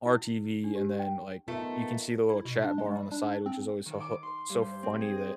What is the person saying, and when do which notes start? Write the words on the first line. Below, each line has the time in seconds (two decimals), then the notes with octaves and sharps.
on our TV, and then, like, you can see the little chat bar on the side, which is always so ho so funny that,
0.06 E4
0.64 D4
0.75 G4
0.99 G5
1.48 D#3 A3 B3 F4
2.30 E4
2.45 B2
2.64 D4
2.78 G#3
2.96 G3
3.12 D4
3.46 C4
3.86 D#3
4.00 D6
4.23 C6
4.49 G2
4.62 C5
4.83 C4
5.01 G#4
5.16 D#5